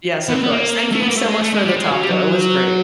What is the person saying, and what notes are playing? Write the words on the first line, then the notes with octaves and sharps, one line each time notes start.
Yes, of course. Thank you so much for the talk though. It was great.
B3
C4
B3
A#3
A3
B3
A#3
A3
G#3
A3
G#3
G3
G#3
F#3
G3
F#3